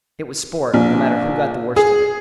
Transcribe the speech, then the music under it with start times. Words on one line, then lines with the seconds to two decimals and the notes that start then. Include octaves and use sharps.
It was sport, no matter who got the worst of it.
0.74 A#1
1.76 G#4